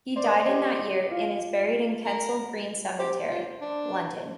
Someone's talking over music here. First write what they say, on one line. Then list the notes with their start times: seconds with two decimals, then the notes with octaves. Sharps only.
He died in that year and is buried in Kensal Green Cemetery, London.
0.16 C5 D5
0.24 A#4 D#5
0.32 C5 D5
0.48 G4
0.79 G4
1.11 F4
2.05 A#4
2.99 G4 C5
3.30 F4
3.61 D4